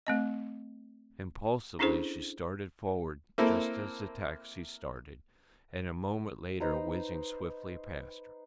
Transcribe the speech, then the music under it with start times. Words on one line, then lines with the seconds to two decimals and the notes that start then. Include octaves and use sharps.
Impulsively she started forward, just as the taxi started and a moment later whizzed swiftly past her.
0.07 A3 C4 D#5
1.79 C#4 D4 E4 G#4 A4 C5
3.38 A#3 C4 E4 A4 A#4
6.60 D#4 B4 C5 A#5